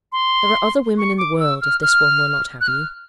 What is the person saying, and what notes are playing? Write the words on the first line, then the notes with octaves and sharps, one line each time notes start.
'There are other women in the world, if this one will not have you.'
C6
C#6
D6
E6
F6
F6
F#6
F6